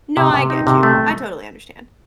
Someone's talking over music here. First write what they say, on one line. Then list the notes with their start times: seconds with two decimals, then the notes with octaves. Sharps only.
no, I get you, I totally understand.
0.17 C3
0.34 C3
0.50 D#4
0.67 C3
0.83 A3